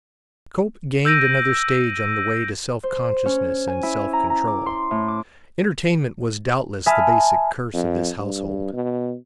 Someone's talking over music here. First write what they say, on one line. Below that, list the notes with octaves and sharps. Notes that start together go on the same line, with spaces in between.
Cope gained another stage on the way to self-consciousness and self-control. Entertainment was doubtless the basic curse of this household.
E6 G6 A#6 D7 D#7
C5
C#4
G#5
E4
A#5
A#5
D6
C6
A2
D6
E5 G#5 A5 B5 D#6 F6
F2
G2
B2